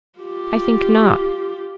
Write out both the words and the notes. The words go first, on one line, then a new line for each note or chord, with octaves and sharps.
I think not.
F4 G4